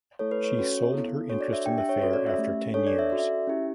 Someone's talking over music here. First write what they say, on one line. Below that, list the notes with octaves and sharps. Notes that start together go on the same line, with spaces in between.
She sold her interest in the Fair after ten years.
A3 E4 A4 C#5
B4
C#5
C#4 F#4 A4
B3 E4 A4
D4 F#4 A4 C#5
D5
E5
D4 G4 G5
E5
C#5
C#4 F#4 A4 C#5
D5
E5
A3 C#4 G4
D4 A4 C#5
D5
E5
C#4 F#4 A4 D5
E5
C#4 E4 G4